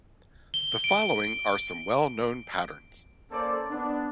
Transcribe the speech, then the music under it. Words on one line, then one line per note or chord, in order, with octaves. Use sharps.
The following are some well known patterns.
G7
D7
A#3 C#4 A4 C5 D5
B3 D4